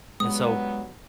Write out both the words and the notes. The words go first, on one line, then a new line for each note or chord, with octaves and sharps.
And so,
G2 F#3 G#3 B3 D#6